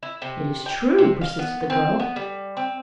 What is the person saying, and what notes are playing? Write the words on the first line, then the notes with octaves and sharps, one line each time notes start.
'It is true,' persisted the girl.
E4
C3
G5
C3
F5
B3
C4
B3
G3
C4